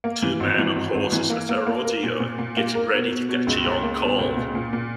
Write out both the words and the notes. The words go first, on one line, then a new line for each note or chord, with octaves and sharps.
Two men on horses at a rodeo getting ready to catch a young calve.
A#3
E3
G#1
E3
G#1
G#1
E3
A#3
A#3
A#3
A#4
A#2
A#2
A#2
A#3
A#4
B2
B2
B2
C#2
C#2
A#3
B2
C#2
A#2
A#2
A#2